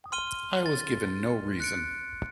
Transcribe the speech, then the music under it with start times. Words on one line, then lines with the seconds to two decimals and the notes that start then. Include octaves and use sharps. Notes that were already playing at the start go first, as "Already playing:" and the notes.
I was given no reason.
0.12 C6 F6 D#7 G7
0.66 A6
1.60 F#6 C#7 D7